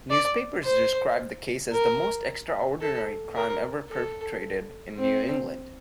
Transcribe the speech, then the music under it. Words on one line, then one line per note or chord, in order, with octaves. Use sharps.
Newspapers described the case as the most extraordinary crime ever perpetrated in New England.
D5
C5
A#4
A4
A#4
A4
C4